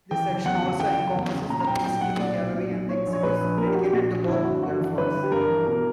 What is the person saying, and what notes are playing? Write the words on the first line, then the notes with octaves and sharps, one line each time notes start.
This section also encompasses the Peacekeeping Gallery and exhibits dedicated to both Gulf Wars.
E3 G5
F#1
G5
E2 F#5
C#3
E3 G5
F#1
E2
C#3
A#2 A#5
A#5
B1 G5
A#2 G5
B1 F#5
A#2 D5
B1
A#2
B1
A#2 C#5
A#1
C#5
A#2 B4
A#1
A#2 A#4
G4
A#1 F#4
G4
A#2 F#4
A#1
G1 E4
G1 F#4
G2 F#4
E3
G1 B4
G1
G4
G2 A#4
E3
B2 A#4